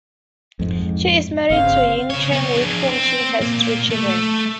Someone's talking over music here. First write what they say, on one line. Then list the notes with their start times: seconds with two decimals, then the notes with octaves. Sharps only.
She is married to Yee Chang, with whom she has three children.
0.59 F2 G#2
1.50 G1 C#3 C4 F5
2.10 C#3 C#5
2.32 B3 C#5
2.55 D4 G#4
2.89 C4
3.41 A#2 A#3
3.91 A3